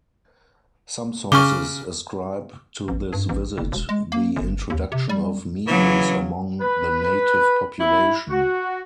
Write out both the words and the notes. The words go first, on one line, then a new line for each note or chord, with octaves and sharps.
Some sources ascribe to this visit the introduction of measles among the native population.
C#3 C#4 C#6 D6 F6
A1
G2
A1
F#1
E1
G#3
A#3
G1
D#2
C3
G3
C#3 E3 F#3
B4
E4
F#4